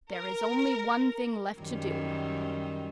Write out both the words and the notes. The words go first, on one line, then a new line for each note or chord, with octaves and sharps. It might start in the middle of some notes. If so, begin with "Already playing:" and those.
"There is only one thing left to do."
A#4
F#2 D#3 G3